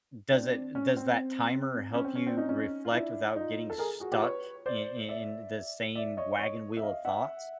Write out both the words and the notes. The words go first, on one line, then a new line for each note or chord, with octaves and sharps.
does it does that timer help you reflect without getting stuck i i in the same wagon wheel of thoughts?
C4 D4
C#4
C4
C#4
C4
C#4
C4 D4
C#4 D#4
C#4 D#4
F4
D4 E4
D#4 F4
A4
G#4 A#4
F#4 G#4
F4 G4
B4 C#5
C5 D5
D5 E5
D5 E5
C#5 D#5
C#5 D#5
E5
D#5 F5
E5 F#5